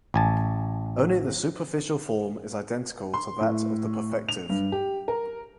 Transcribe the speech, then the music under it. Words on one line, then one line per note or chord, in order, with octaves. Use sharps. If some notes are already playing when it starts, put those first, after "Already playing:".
Only the superficial form is identical to that of the perfective.
A1 G#5 A5
C6
A2
F7
G2
G4
A#4